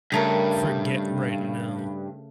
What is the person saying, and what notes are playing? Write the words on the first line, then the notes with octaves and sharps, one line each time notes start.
forget right now.
G2 C#3 A3 A#4